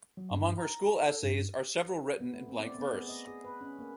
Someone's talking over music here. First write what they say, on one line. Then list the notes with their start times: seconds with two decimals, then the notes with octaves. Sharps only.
Among her school essays are several written in blank verse.
0.17 F#3
0.31 G2
0.58 A#5
1.08 A4
1.22 G2
2.21 B3
2.34 A3
2.49 C4
2.64 D5
2.78 B3
2.94 G#4
3.09 D#5
3.28 G#4
3.44 B4
3.61 C#4
3.79 A#3